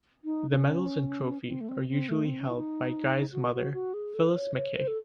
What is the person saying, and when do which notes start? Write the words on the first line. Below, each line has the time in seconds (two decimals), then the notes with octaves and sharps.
The medals and trophy are usually held by Guy's mother Phyllis Mackay.
0.24 D#4
0.50 D#4
0.55 C#4
1.47 C4
1.61 A3
1.69 C4
1.89 C4
2.09 A3
2.25 C4
2.40 C#4
2.49 E4
2.56 D#4
3.32 F#4
3.54 F#4
3.73 F#4
3.94 G#4
4.14 A4
4.28 C5
4.36 C#5
4.56 C#5
4.76 C5
4.88 A4